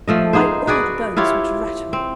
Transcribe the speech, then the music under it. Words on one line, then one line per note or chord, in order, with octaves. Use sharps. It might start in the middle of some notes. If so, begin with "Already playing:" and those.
My old bones would rattle.'
F3 A3 D#5
D#4 G#4 C5
F#4 G#4 B4 D5
E4 F4 G4 C#5
C4